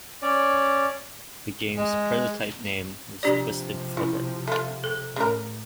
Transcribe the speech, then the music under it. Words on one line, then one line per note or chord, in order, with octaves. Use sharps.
The game's prototype name was "Twisted Flipper".
C#4 D5
G#3
C3 F3 D4 G4 D5
C#3 E4
A3 F4
A4
A2 C#3 A#4